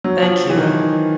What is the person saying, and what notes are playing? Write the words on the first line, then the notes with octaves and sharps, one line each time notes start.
Thank you.
F#3
F3
E3
D#3